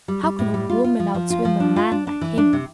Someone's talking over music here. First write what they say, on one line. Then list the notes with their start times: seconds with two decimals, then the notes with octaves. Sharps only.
How could a woman outswim a man like him?
0.08 G3
0.23 G3
0.39 A2
0.54 G3
0.69 F4
0.84 F4
1.00 F3
1.15 F3
1.30 F4
1.45 F3
1.60 D4
1.76 F4
1.92 D4
2.07 D4
2.21 E3
2.38 D4
2.53 C3